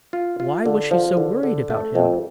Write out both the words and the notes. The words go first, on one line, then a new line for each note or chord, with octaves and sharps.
Why was she so worried about him?
F4
F4
D3
F3
D3
D3
A3
F2